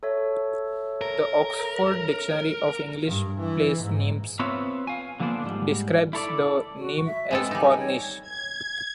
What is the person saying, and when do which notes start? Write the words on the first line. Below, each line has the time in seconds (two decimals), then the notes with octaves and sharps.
The Oxford Dictionary of English Place Names describes the name as Cornish.
0.03 A4 C#5 E5
1.01 A#4
3.06 G2
3.40 E3
3.82 G#2
4.39 B3 C4 F4 B4 C#5 E5
4.87 F5 G#5
5.20 D3 F3 A#3 B3 D4 F4
5.43 G#2 G3
6.13 E4 A4 C#5 D5
6.77 F#4
7.06 E5
7.31 G#3 B3 C4 A4
7.51 G3 D#4 G#5
7.79 C#5
8.22 G#6